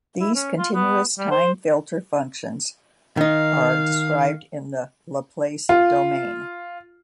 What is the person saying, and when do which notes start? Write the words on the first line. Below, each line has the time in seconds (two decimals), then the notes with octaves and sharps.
These continuous-time filter functions are described in the Laplace domain.
0.20 E4
0.35 C#4
0.58 F4
0.74 B3
1.18 G3
1.31 C5
3.17 D#3 D#4 F5
5.69 F4